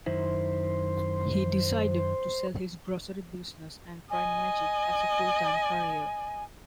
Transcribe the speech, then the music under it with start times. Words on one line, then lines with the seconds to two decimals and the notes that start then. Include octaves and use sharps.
He decided to sell his grocery business and try magic as a full-time career.
0.06 F#2 D#3 E4 C5
4.10 D#5 G#5